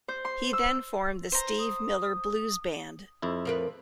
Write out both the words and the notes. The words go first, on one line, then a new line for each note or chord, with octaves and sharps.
He then formed the Steve Miller Blues Band.
C5
C6
E6
C5 A#5
D#6
F2 E4
F3 A#4 B4